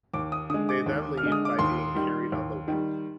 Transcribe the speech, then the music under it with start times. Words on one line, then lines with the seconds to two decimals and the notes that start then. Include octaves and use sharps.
They then leave by being carried on the wind.
0.14 D#2 D6
0.32 D#6
0.50 D3 G#3 D#6
0.69 D6
0.86 D#2
1.18 F6
1.23 D3 G#3
1.32 D#6
1.45 D6
1.59 D#2 C6
1.95 D#3 G3
2.32 D#2
2.68 D#3 G3